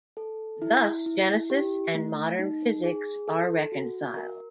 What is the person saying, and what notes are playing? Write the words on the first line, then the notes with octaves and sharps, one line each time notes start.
Thus Genesis and modern physics are reconciled.
A4
E4
E4
G4
A3
D#4
G#4
A4
F#4
A#4